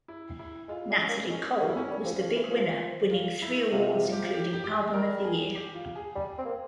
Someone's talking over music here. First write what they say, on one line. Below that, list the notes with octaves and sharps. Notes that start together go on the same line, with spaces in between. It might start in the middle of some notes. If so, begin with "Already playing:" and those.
Natalie Cole was the big winner winning three awards including Album of the Year.
E4
E4
G#3 F4
G3
E4
C#4
A#3
G#3 C#4
A#3 C#4
E4
C#4
G3
F3
F3
E3
F3
F4
E4
C3 F4
F4
G4
F4
G4
G4
G4
G#4
G3 A#4
G#4
G4
F4
G#4
G3
C4
A#3